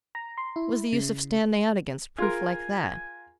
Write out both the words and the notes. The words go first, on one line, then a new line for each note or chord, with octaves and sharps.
What was the use of standing out against proof like that.
A#5
C6
E4
C#3
F4 G#4 A#4 G#5 C6